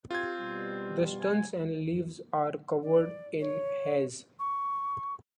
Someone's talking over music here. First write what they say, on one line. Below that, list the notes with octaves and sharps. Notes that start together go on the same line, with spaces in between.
The stems and leaves are covered in hairs.
C4 F4 G4 G#6
B2 G3
G#5
D5
C#5
C#6